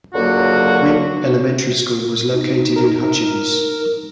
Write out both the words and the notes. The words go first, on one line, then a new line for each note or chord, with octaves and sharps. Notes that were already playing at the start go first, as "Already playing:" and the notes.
Winn Elementary School was located in Hutchins.
C#2 F#2 D3 F#3 A#3 F#4
D#4
A#4